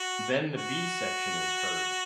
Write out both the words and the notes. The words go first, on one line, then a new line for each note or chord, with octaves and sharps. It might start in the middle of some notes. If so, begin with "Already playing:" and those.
Then the B section is heard.
Already playing: F#4
F#4